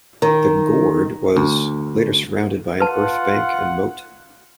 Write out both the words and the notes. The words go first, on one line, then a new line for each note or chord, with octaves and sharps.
The "gord" was later surrounded by an earth bank and moat.
D#3
D2
F4 B4 F#5 A5